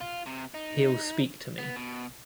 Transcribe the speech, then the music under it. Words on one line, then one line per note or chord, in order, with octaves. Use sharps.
He’ll speak to me.
F4
C3
D#4
B3
B2